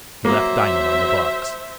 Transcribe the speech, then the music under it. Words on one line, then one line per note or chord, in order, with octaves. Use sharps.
He left Diamond on the box.
F#3 A#3 C5 E5